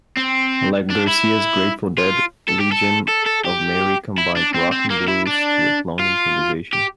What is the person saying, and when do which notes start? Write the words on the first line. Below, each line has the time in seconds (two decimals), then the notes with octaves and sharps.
Like Garcia's Grateful Dead, Legion of Mary combined rock and blues with long improvisation.
0.17 C4
0.90 D4
1.07 E4
1.98 F4
2.48 A4
2.60 G4
2.72 A4
3.09 A4
3.26 A4
3.45 G4
4.18 E4
4.36 D4
4.54 C4
4.72 C4
4.90 A#3
5.08 E4
5.27 D4
5.99 F4
6.73 G4